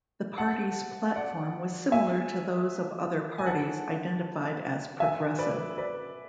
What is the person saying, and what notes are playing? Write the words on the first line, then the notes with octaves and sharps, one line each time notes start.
The party's platform was similar to those of other parties identified as progressive.
F#5 A5
D5 F#5
E5 G#5
G#5
F#5 A5
E5 G#5
B4 D5
B4 D5